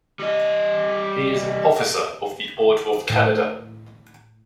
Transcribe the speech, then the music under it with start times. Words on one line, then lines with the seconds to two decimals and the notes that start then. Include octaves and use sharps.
He is an Officer of the Order of Canada.
0.19 G3 D#5
3.10 A2